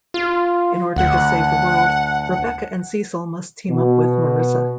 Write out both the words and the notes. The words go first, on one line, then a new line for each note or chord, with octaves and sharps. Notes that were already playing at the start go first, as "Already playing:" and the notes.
In order to save the world, Rebecca and Cecil must team up with Marissa.
F4
D2 F#5
B2